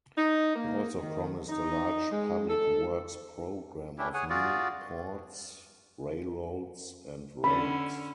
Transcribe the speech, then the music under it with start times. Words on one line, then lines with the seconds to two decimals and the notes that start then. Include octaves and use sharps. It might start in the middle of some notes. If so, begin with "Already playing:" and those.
He also promised a large public works program of new ports, railroads, and roads.
0.17 D#4
0.56 A#3
0.98 D#3
1.49 D#4
2.12 G#3
2.49 A4
3.98 C#4 D4 E4 G4
4.14 G#4 C#5 F#5 G#5
4.30 F4 F#4 G#4 D5
7.44 D3 C#4 B5